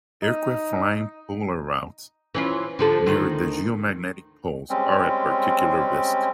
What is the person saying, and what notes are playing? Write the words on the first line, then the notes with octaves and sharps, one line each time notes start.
Aircraft flying polar routes near the geomagnetic poles are at particular risk.
D#4
E3 C#4 F4
D3 F3 A4
D2 D#3 F4
G3 G#3 C4 C#4